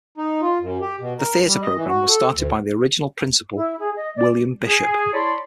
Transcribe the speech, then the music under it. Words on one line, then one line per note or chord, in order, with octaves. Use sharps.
The theatre program was started by the original principal William Bishop.
D#4
F4
F#2
G4
B2
A#4
G3
D#5
E3
F#4
A4
D2
E4
G#4
D#5
D5
G#4
E4 C#5 D5 A5 B5 C6